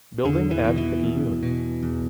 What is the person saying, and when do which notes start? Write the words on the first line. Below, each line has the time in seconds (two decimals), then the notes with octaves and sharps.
Building at Picayune.
0.24 E2 D3
0.51 E3
0.64 B2
0.78 E3
1.04 E2
1.43 B2
1.83 E2